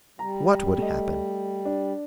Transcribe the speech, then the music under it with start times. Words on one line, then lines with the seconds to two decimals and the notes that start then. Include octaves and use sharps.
"What would happen?"
0.19 G3 A#5
0.78 A3 D#5
1.65 D4